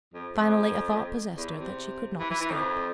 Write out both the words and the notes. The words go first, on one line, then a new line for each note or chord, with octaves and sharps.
Finally a thought possessed her that she could not escape.
F2
F2
E2
C3
E3
E3
E3
F2